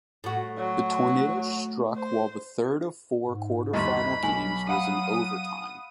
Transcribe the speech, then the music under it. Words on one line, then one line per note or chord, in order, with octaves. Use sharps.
The tornado struck while the third of four quarterfinal games was in overtime.
A2 F#4
F#3
C5
G#2
G1 D#2 D#5 B5 C6
B1 F#3 G#5 F#7
F5 F#5 B5 D#6